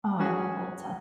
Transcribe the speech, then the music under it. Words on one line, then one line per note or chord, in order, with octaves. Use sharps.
Oh, I love Ulta.
C#4 F#4 G#4